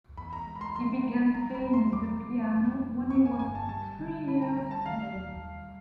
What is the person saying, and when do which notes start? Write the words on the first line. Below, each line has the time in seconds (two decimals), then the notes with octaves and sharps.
He began playing the piano when he was three years old.
0.17 E2 B5
0.33 A#5
0.47 G#3
0.55 B5
0.61 C6
0.76 F3 C6
1.05 G#3
1.34 G3 A#5
1.55 B5
1.64 E2
1.73 C6
1.93 E2 D6
2.23 G3
2.52 F2
2.81 F2
3.10 F2 C#6
3.25 G#5
3.39 G1 G#5
3.55 A5
3.69 G3 A5
3.98 D3
4.28 G3 B5
4.42 A#5
4.57 G3 A#5
4.71 A5
4.86 D#3 F5
5.15 D#2
5.44 G3